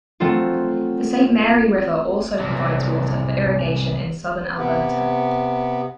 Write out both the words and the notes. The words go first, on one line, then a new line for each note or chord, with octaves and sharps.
The Saint Mary River also provides water for irrigation in Southern Alberta.
F#3 A3 C4 F4
C2 F#3
C3 B3